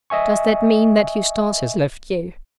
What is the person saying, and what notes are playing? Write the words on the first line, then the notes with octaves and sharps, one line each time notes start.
"Does that mean that Eustace has left you?"
D#5 E5 G#5 C#6